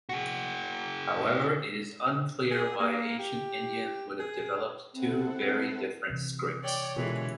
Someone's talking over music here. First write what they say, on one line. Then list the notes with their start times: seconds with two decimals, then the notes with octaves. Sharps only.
However, it is unclear why ancient Indians would have developed two very different scripts.
0.09 F#4 G#4
2.51 G#4
2.80 A#3
3.19 G4
4.19 G#4
4.92 C4 E4 A4 F#5
6.10 C3 E3
6.63 C#5 D5 G5
6.96 B2 D3 E3 G#3 F4 G4 A#4